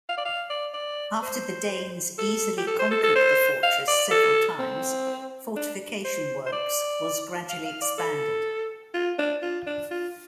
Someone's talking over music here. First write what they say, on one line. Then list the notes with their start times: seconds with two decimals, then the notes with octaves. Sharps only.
After the Danes easily conquered the fortress several times, fortification works was gradually expanded.
0.09 F5
0.17 D5
0.25 F5
0.50 D5
0.74 D5
1.22 C5
2.18 A4
2.58 G4
2.67 A4
2.79 C5
2.91 A4
3.03 A4
3.15 C5
3.63 F5
3.88 D5
4.11 A4
4.59 C4
5.56 D4
6.04 C5
6.46 C5
6.52 D5
7.49 F5
7.65 F5
7.82 D5
7.98 A4
8.94 F4
9.18 D4
9.42 F4
9.67 D4
9.91 F4